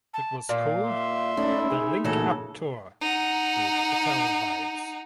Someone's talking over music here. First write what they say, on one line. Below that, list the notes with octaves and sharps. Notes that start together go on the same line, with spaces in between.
It was called "The Link Up Tour" with Ital Vibes.
A5
A#2 F5
E5 C6
A3 C#4 D#4 E4 D5
D#4 G#4
A#2 C#3 E3 F#3 A3 A4
D#4 F#5